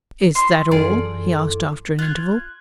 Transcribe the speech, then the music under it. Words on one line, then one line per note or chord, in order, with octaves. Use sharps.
"Is that all?" he asked after an interval.
E4 C6
F#2 E3 F4 G#4 A4 D5
F4 F#6 G#6